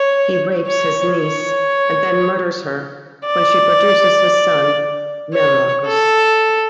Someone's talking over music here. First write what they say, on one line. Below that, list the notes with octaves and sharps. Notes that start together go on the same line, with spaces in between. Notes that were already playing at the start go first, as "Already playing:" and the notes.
He rapes his niece and then murders her when she produces his son, Meraugis.
Already playing: C#5
C#5
C#5
D5
C#5
A4